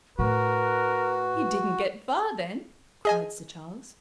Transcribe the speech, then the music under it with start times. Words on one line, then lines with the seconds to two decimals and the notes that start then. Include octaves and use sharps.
"He didn't get far, then!" cried Sir Charles.
0.19 A2 F#4 A#4 B4
3.05 G#4 D#5 G#5